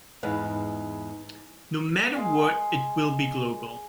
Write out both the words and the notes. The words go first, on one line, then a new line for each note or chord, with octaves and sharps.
No matter what, it will be global.
E2 G#2 B4 F5
G#3 F5 G#5